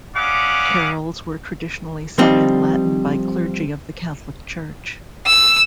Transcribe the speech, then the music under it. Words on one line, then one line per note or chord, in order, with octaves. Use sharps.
Carols were traditionally sung in Latin by clergy of the Catholic church.
G3 C#4 D#5 F5 F#5 D6
F3 G3 C4 D#4
E6